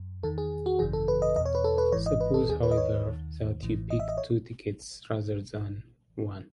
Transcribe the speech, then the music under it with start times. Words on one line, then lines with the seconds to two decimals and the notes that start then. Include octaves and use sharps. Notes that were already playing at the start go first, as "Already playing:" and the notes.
Suppose, however, that you pick "two" tickets rather than "one".
Already playing: F#2
0.23 E2 D#3 A4
0.38 G#4
0.66 F#4
0.79 G#1 F#2 C#3 E3 G#4
0.93 A4
1.08 B4
1.22 D#5
1.36 E2 D#5
1.40 B2
1.45 C#5
1.55 B4
1.64 A4
1.78 B4
1.92 G#1 G#2 E3 C#5
2.06 D#5
2.21 B4
2.34 A4
2.49 D#2 D#3 G#4
2.63 B4
2.71 D#5
2.77 C#5
3.05 D#2 D#3
3.62 A1 A2 E3
3.90 D#5
4.00 E5
4.09 D#5
4.17 C#5